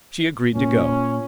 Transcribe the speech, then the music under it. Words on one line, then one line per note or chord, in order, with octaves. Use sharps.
She agreed to go.
A#2 C#4